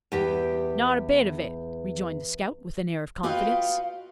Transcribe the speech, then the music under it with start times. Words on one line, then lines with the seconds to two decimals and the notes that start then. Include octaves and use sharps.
"Not a bit of it," rejoined the scout, with an air of confidence.
0.12 E2 G4 G5
3.23 F4 F#4 B4 D#5 F5 G5